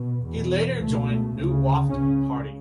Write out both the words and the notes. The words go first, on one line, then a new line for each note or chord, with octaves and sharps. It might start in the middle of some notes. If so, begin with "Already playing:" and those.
He later joined New Wafd Party.
Already playing: B2
E2 B2
C#2 B2 A3
D2 C#3
C#2 C#3 C#4